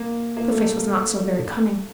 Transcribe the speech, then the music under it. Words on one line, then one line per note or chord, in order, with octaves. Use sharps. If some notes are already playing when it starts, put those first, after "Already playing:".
The face was not so very cunning.
Already playing: A#3
A#3
A3
A#3